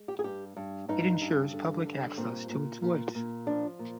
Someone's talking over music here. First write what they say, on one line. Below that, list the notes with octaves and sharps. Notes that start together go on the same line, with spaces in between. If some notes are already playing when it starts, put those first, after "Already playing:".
It ensures public access to its woods.
Already playing: G#3
G4
G#4
G2 G4
G2
G2 D#4
G2
D3
G2
A#2 C4
A#2
A#2
A#2
F3 D4
A#2